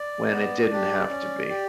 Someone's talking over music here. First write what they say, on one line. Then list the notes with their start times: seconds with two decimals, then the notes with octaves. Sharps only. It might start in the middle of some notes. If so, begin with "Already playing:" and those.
when it didn't have to be.
Already playing: D5
0.31 B3
0.71 D4 G4
1.10 C#4
1.50 G4